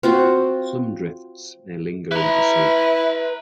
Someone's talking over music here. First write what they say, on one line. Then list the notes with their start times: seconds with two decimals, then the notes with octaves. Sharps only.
Some drifts may linger into summer.
0.03 C4 F4 F#4
2.11 E4 B4 A#5